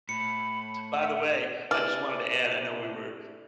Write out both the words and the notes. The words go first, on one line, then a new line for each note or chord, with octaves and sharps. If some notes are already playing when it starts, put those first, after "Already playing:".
By the way, I just wanted to add, I know we were
A2 B5 C#7
E5 F#5
C3 E3 D4 E4 D5 F6